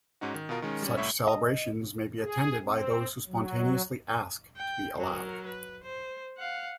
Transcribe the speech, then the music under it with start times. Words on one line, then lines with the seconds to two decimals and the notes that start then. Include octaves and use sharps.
Such celebrations may be attended by those who spontaneously ask to be allowed.
0.21 G#2 C#4 D#4 F#4
0.34 D#3
0.49 B2 B3 F4 A#4
0.62 D#3 G#3 C#4
0.82 G3 C#4
0.97 C2 A2 C#5 E5 C#6
1.27 D#5
2.21 G#4
2.64 C4
3.28 F#3
4.57 G5
4.98 F#3 A#4
5.46 B4
5.83 C5
6.37 F5 F#5